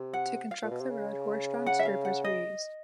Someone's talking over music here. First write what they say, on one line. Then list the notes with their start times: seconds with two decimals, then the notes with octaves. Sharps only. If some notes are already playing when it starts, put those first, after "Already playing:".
To construct the road, horse-drawn scrapers were used.
Already playing: C3
0.13 F#5
0.51 F5
0.63 A#2
0.71 B2
0.81 C3
0.90 C#3
1.66 F#5
1.79 E5
1.85 F5
2.05 F#5
2.24 D#5